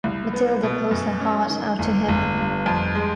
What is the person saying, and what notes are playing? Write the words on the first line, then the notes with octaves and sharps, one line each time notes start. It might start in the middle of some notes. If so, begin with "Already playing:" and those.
Mathilde pours her heart out to him.
C2
B3
B2
F#2
C#4
D#3
G1
G1
G2
F2
G#3